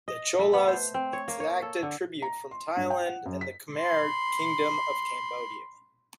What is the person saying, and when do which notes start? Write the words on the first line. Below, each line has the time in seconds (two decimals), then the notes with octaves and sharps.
The Cholas exacted tribute from Thailand and the Khmer kingdom of Cambodia.
0.08 D#5
0.39 A3
0.53 B3
0.67 C5
0.94 C4
1.13 C#5
1.28 A#3
1.40 C#5
1.62 A4
1.83 D3
2.22 A#5
2.51 C6
2.77 G2
2.90 G5
3.06 F#5
3.26 F#2
3.41 B6
3.75 B5 C6